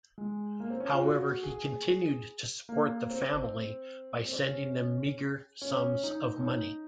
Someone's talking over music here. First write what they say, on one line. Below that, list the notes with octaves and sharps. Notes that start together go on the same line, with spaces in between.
However, he continued to support the family by sending them meager sums of money.
G#3
A#3
C4
C#4
F4
F#4
G#4
A#3
C4
C4
C#4
C#4
D#4
C#4
D#4